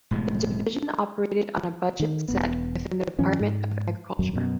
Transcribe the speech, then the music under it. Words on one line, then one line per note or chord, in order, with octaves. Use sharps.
The division operated on a budget set within the Department of Agriculture.
E1 A2 C3 G#3
D#3
E1 D#2 B3
G2 D#3 F3 C#4
G#2
D#1 F#2 F#3
F#2 B2